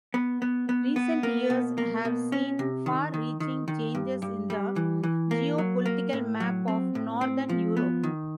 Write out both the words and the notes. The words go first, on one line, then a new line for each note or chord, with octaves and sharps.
Recent years have seen far-reaching changes in the geopolitical map of northern Europe.
B3
B3
B3
B3
A#3
B2
A#3
B2
C#4
C3
D#3
D#3
D#3
D#3
G2
G2
G3
E3
E3
A#3
F#3
A#3
A2
F#3
C4
A2
C4
F3
B3
D#3